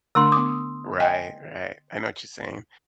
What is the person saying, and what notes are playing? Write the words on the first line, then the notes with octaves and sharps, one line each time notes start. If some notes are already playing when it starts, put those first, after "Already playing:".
Right, right, I know what you're saying.
D3 A3 D4 C6 E6
B3 D6 D#6
D#5 G5 G#5